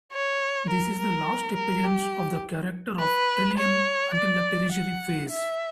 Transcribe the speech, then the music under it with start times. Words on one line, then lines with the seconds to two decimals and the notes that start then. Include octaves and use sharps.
This is the last appearance of the character of Trillian until the Tertiary Phase.
0.13 C#5
0.70 A#4
0.99 A#4
1.56 A#4
1.85 G4
3.00 B4
3.58 C#5
4.15 D5
4.72 F#5
5.30 E5